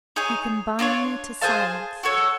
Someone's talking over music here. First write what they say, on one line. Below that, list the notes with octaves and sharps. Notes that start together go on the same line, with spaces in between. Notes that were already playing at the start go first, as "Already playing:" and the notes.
You can bind me to silence.
D#4 G#4 C#5
D4 F4 A4 C#5
G#4 C5 F5 A5
F#4 A4 C#5